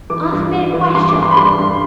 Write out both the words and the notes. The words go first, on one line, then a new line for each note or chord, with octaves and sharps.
"Ask me a question."
E3 D6
G2
G3
E3
G2 C6
D6
G2
C6
B5
G3 C6
G2